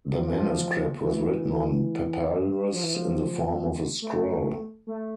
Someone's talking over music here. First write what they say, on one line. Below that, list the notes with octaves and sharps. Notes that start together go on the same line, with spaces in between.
The manuscript was written on papyrus in the form of a scroll.
F3
E3
F3
E3
F3
E3
F3
A3
A3